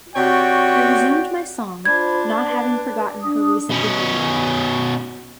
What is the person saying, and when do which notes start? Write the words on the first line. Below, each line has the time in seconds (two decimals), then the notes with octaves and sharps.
I resumed my song; not having forgotten her recent behaviour.
0.15 C3 F#4 C#5 D5 G5
1.85 D4 F4 C5 B5 G#6
2.49 B4
3.22 D4 D#6
3.71 B2 C#4